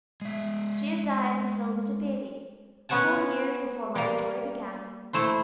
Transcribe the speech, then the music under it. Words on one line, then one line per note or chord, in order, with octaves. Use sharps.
She had died when Phil was a baby, four years before my story began.
G#3 E5
B3 C#4 F#5 G#5 A5
G3 A#3
A3 E4 C5